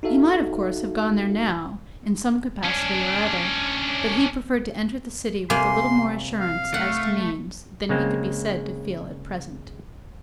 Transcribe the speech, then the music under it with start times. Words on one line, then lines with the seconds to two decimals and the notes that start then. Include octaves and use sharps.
He might, of course, have gone there now, in some capacity or other, but he preferred to enter the city with a little more assurance as to means than he could be said to feel at present.
0.03 D#4 F#4 A4 E5 F5
2.65 C#4 D4
5.50 C3 G3 A#3 G#5 C6
6.40 F5
6.74 A3 F#5
7.89 C#3 G#3 A#3 C4